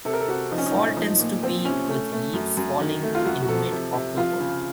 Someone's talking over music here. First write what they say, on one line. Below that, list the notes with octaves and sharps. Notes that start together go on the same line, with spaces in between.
Fall tends to be with leaves falling in Mid-October.
C3 A4
A#4
A4
C3 F#4
F3 D#4
C#4
D#4
A2
F3 D#4
A#2
F3 C4
C3 C#4
A3
A3
F#2
F#2
D#3
A3
F4
F#2 F#4
F#4
F3 A4
C3
C3
F3 F4
C#3